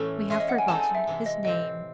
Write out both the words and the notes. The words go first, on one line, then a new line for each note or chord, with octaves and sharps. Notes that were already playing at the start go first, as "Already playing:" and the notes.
We have forgotten his name.
Already playing: A2 E3 A3 C#4
G#3 C#4 G#4 E5
D#5
F#5
G#5
G#3 C4 D#4 A4 A5
G#5
E5
C3 E3 G#3
D#5
A2 E3 C4 D#5